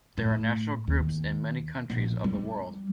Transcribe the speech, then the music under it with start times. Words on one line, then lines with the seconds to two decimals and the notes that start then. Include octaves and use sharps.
There are national groups in many countries of the world.
0.18 A2
0.88 D#2
1.90 A#1
2.24 G3